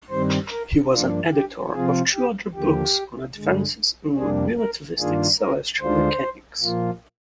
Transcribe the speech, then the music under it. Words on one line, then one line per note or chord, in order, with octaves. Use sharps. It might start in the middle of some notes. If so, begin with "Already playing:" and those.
He was an editor of two other books on advances in relativistic celestial mechanics.
G2 D#3 G3 C4 C5
A#4
G2 F3 A#3 D4 F4
G4
C3 F3 C4 F4 G#4
G4
D#2 D3 F3 A#3 G4
G2 D3 G#3
F2 C3 G3 A#3 D4 G#4
A#4
G2 D#3 A#3 D4 F4 G#4
A#4
D2 D3 G#3 D4 F4 C5
A#2 F3 A#3 F4